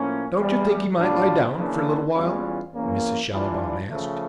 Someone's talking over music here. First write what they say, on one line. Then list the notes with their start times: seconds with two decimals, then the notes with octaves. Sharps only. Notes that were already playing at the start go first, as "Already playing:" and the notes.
"Don't you think he might lie down for a little while?" Mrs. Schallibaum asked.
Already playing: A2 F3 A#3 C#4
0.38 E2 E3 G3
0.97 A2 G3 D4 F4
1.55 C#3 E3 A#3 D4
2.14 E2 E3 G3 C#4 F4
2.72 E2 E3 A#3 C#4
3.31 E3 G3 D4 F4
3.90 C#3 F3 A3